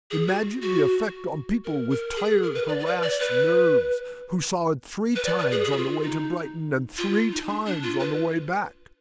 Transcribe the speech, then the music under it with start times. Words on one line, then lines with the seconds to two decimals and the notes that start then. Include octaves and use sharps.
Imagine the effect on people with tired, harassed nerves who saw it three times on the way to Brighton and three times on the way back.
0.11 G#4
0.28 F#4
0.62 F#4
1.65 A#4
1.91 A#4
2.17 G#4
2.30 G#4
2.43 A#4
2.55 B4
2.68 D5
2.79 D5
2.86 B4
3.03 D5
3.20 B4
5.16 B4
5.26 D5
5.38 B4
5.51 G#4
5.64 G#4
5.72 F#4
5.77 F4
6.03 D#4
6.98 F4
7.15 F4
7.32 D#4
7.49 D4
7.66 D4
7.83 F4
8.00 B4